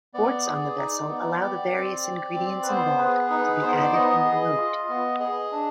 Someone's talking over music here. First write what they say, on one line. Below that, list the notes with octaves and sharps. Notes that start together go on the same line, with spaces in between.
Ports on the vessel allow the various ingredients involved to be added and removed.
B3 D5
G#4
D#4
B3
G4 D5
C4
G4
C4
B4
B3 C5
G#4 B4
D#4 B4
B3 C5
D5
B3 D#5
G#4
F4
B3
G#4 D#5
D4